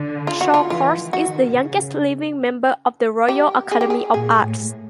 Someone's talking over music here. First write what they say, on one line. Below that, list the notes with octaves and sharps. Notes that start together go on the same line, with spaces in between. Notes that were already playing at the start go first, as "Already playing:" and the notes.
Shawcross is the youngest living member of the Royal Academy of Arts.
Already playing: D3
F4
F#4
F4
E3 F4
E3
F#4
D#3
C#3
G4
G#4
G4
G#4
A#2 G#4
A2